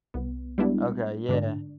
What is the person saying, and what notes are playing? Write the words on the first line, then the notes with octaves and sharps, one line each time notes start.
Okay, yeah.
C2 B3
G3 G#3 B3 D4 E4
G#2 D3 D4